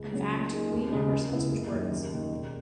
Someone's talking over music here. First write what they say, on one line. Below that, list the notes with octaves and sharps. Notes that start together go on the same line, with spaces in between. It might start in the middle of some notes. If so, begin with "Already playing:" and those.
In fact, Li never said such words.
Already playing: C#2
C#3 F#3 C#4
A#2
A#3 D#4 G#4
D#2
C#3 G#3
C#2
C#3 G#3 B3 E4
F#1
F#2 D#3
D#2
D#3 A#3
E1